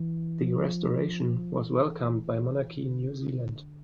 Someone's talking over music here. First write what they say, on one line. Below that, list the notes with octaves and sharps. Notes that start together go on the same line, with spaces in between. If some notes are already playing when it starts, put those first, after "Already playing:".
The restoration was welcomed by Monarchy New Zealand.
Already playing: E3
F3
E3
D3